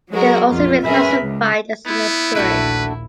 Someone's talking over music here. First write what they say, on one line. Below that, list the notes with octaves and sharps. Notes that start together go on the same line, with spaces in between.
It can also be classified as an estuary.
F#3 G#3 F#4 A#4
A#1 F2 F4
C#4 G#4 A#4 B4 E5 B5
C#2
B3 E4
A#1 D#2 A3 D4 F#4 B4